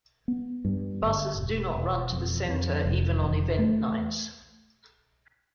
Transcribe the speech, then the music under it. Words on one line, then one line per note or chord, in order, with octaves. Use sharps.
Buses do not run to the centre even on event nights.
B3
G2
G1
E1
E1
F2
F2
F1
E2
A3